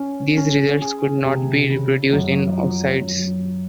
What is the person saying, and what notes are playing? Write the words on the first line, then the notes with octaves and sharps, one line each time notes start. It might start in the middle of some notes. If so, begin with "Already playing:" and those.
These results could not be reproduced in oocytes.
Already playing: C#4
C#4
G#4
C3
C#3
F#2
F3
F#2